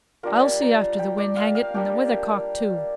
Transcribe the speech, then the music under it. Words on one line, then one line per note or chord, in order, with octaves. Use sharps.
I'll see after the wind, hang it, and the weather-cock, too.
G3 D4 F4 A#4
A#5
G5
D5
F5
F5
G3 A#3 D4 G5